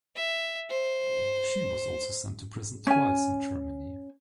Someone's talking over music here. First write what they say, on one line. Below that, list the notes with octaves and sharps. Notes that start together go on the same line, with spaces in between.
She was also sent to prison twice in Germany.
E5
C5
C#4 G#5